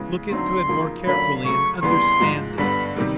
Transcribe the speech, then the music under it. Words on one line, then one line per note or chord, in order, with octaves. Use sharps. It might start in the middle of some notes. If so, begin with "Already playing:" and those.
Look into it more carefully and understand it!
Already playing: C#3 E3 G#3 B3
D3 F#3 A3 C4 D#4 C6
C#3 F3 A#3 D#4
D3 F#3 A#3 C#4 F4 B5
C#3 F#3 A3 C#6
D#2 C#3 E3 G3 B3 C6
G#2 F3 G#3
G2 D3 G3 B3 B5
C3 D#3 G3